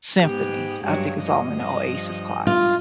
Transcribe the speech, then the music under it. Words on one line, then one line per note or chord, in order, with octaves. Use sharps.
Symphony, I think it's all in the Oasis class.
G#2 B3 G4
G2 F#3 G#3
G2 F3 D#5
F4